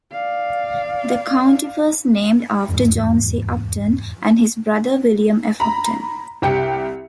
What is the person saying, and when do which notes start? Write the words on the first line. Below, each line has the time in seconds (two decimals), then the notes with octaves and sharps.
The county was named after John C. Upton and his brother William F. Upton.
0.11 D5 F5
2.69 F1 E2 G#2
5.60 A#5 B5
6.42 C2 G4 G5 C#7